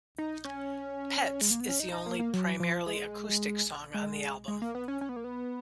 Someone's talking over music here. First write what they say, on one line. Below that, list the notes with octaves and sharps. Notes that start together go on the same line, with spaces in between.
"Pets" is the only primarily acoustic song on the album.
D#4
C#4
G#3
A#3
B3
C#4
D#4
D#4
A#3
A#3
F#3
F3
G#3
G#3
G#3
A#3
B3
C#4
C#4
B3
A#3
B3